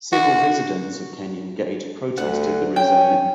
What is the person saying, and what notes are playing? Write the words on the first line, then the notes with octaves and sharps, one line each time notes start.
Several residents of Canyon Gate protested the rezoning.
F#4
D2 F#5
C#4 G5